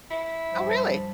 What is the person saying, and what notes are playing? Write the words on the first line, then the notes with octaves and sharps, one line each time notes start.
Oh, really?
E4
G2 F3